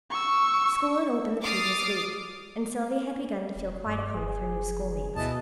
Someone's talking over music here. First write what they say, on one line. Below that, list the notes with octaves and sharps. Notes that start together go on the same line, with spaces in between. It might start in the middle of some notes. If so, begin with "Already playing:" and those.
School had opened the previous week, and Sylvia had begun to feel quite at home with her new schoolmates.
C#6 E6
D6 D#6 F6 A6 C7
E1
G2 D5
F#1 G#4
D2 B2 E3 D#5 A5